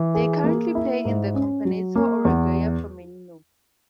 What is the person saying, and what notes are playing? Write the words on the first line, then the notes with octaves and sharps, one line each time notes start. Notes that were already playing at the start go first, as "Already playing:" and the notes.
They currently play in the Campeonato Uruguayo Femenino.
Already playing: E3
G#4
A#3
E4
G#2
C#4
F#3
A#3
E2